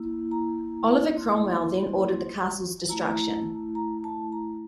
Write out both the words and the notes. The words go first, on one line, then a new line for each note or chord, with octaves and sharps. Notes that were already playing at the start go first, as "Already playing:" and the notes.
Oliver Cromwell then ordered the castle's destruction.
Already playing: A#3 E4
A#5
C6
A3 E4 A#5
A#5
A5
A#5